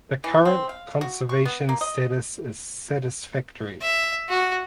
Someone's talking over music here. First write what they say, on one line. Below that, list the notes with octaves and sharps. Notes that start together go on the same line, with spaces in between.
The current conservation status is satisfactory.
E3
C4
F5
F#4
C#6
B3
A#3
D#5
E5
F#4